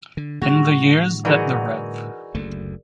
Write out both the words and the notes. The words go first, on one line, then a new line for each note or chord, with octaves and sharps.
In the years that the Rev.
D3
A2 D3 G3 F#4 G#4 A#6 F7
E3 D#4 F#4 G#4 A#4 D5
F#1 D2 A3